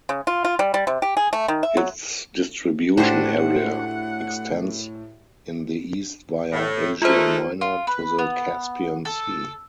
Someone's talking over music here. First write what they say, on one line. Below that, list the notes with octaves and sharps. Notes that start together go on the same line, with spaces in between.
Its distribution area extends in the east via Asia Minor to the Caspian Sea.
C#3
F4
F4
G3
G3
C3
G4
G#4
A3
D#3
E5
F#3
A2 D4 F#4 G4 C5 F#5
A2
D3 G#3 A3 F4 C5
F4
B4
B3
A4